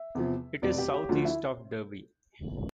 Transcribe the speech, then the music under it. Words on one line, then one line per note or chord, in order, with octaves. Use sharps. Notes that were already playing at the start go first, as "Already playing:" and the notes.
It is south east of Derby.
Already playing: E5
E2 C3 F3
F1 E2 B2 D5
G4
G4
D2 D3 F3 F4
E4